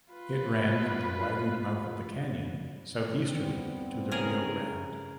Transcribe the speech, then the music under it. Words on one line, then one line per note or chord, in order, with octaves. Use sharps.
It ran from the widened mouth of the canyon southeasterly to the Rio Grande.
F4 B4
G3 B3 C4
C#3 G#4 A#4